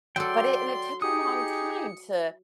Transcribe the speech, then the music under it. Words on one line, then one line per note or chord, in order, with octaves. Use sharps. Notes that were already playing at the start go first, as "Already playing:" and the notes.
but it and it took a long time to,
F#3 A4 D5 G5 C6
D#4 G4 G#4 D#6 C#7